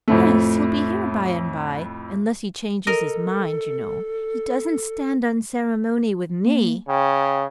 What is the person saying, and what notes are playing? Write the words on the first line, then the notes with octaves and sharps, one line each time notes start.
"Yes, he'll be here by-and-by; unless he changes his mind, you know. He doesn't stand on ceremony with me."
F2 A2 A3
A4 A#4 D#5
A#3
C#3 G5